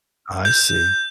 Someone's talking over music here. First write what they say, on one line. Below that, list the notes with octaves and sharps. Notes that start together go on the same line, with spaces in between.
I see.
G6